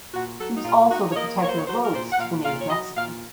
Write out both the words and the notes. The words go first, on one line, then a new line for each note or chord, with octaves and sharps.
He was also the protector of roads to the native Mexicans.
A#2 F#4
F#3 A4
D#4
A#2 F4
D#4 F#4
C#5
A#3 D#5
A#3 C#5
C5
C#5
F#3 C5
A#4
A#2 C5
F#5
A#2 F5
A#2 F5
C#5
F#3 D#5
A#2 F5